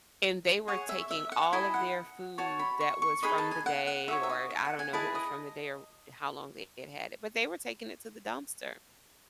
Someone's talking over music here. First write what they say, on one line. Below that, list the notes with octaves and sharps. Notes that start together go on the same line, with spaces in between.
and they were taking all of their food that was from the day, or I don't know if it was from the day or how long they had had it, but they were taking it to the dumpster.
G#4 C#5 F#5
E5
E5
F#5
E4 A4 D#5 G#5
F#5
F#4 C#5 A5
B5
C#6
C#6
D#4 G#4 B4 D#5 B5
A5
G#5
F#5
F#5
D#4 F#4 C#5 E5
E5
D#5
E5
F#5
G#5
E4 G#4 B4 D#5 A5
D#5